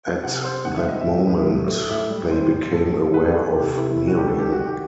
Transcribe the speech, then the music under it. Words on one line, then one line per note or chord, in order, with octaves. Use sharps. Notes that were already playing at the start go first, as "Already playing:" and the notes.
At that moment they became aware of Miriam.
C3 F#5
C3 C5
D#3 F#5
E5
G3 D#5
E5
A2
A2
F#3
A3
A2 E5
G3
G3 C5
A2
A2 A4
A2
E3 B4
A4
A3 B4
C3 G4
C3 E4
E3 E4
F#4
G3 G4
A4
D#3 G4
F#4
D#3
G4